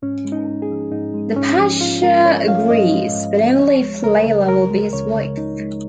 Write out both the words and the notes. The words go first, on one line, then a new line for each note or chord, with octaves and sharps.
The pasha agrees, but only if Leila will be his wife.
G#2 C#4
G#3
D#4
G#2
G#4
F3
G#2 D#4
G#3
G#2 C#4
F3
G#2 F4
G#3 A#4
G#2 C#5
F3 F5
G#2 D#5
G#3
G#2
F3
C#2 C#5
G#3
C#2 A#4
C#3
C#2 A#4
G#3
C#2 C#5
C#3
C#2 D#4
G#3